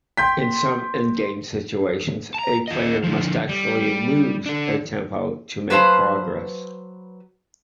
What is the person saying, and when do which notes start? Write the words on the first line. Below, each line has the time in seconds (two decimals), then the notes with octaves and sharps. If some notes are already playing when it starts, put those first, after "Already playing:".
In some endgame situations, a player must actually "lose" a tempo to make progress.
0.17 G5 C6 G6 B6
2.34 A5 A#5
2.68 F4 D#5
3.04 D3 F3
3.49 G3
4.46 D4 A4
5.70 F#3 B4 C5 F5 A5